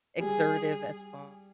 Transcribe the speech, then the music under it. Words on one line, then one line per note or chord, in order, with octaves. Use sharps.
exertive, as far
G3 G#4